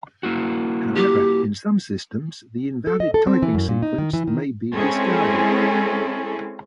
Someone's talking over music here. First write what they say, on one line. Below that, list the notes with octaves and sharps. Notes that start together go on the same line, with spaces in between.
However, in some systems, the invalid typing sequence may be discarded.
A#3 E4 F#4
G4
A4
D#5
A4
C4
E3
F#2
A#2
D#4
D#3
E3
D#3
G#3 C4 C#4 E4 G#4 A4